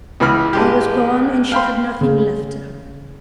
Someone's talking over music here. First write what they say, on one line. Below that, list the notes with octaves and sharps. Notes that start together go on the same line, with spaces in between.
He was gone, and she had nothing left to her.
C#2 E3 B5 F6
A1 G#3 G4
F5 G5 B5 C6
C#3